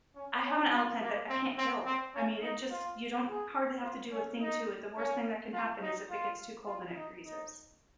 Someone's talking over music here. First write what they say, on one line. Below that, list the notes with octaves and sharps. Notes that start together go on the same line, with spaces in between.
I have an aloe plant that I can't kill, I mean, it just you don't hardly have to do a thing to it, the worst thing that can happen is if it gets too cold and it freezes,
C#4
C#4
F4
A#3
C4
C4
C4
C#4
D#4
F4
G#4
F4
C#4
D#4
C#4
F4
D#4
F4
F4
D#4
D#4